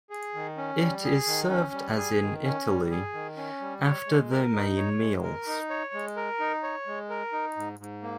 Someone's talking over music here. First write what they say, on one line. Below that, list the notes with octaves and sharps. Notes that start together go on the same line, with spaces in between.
It is served as in Italy, after the main meals.
G#4
D#3
C#4
G3
G#4
D#3
C#4
G3
G#4
D#3
C#4
G3
G#4
D#3
C#4
G3
C#5
G#3
A#4
D#4
C#5
G#3
A#4
D#4
C#5
G#3
A#4
D#4
C#5
G#3
A#4
D#4
G#2
G#2
A#3